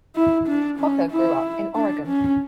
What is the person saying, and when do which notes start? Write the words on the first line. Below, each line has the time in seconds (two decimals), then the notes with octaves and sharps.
Kocher grew up in Oregon.
0.16 E4
0.47 D4
0.80 C#4
1.12 E4
1.76 D4
2.07 C#4